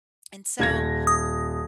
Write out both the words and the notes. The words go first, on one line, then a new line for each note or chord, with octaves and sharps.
And so
D#1 G#6 A#6
D#6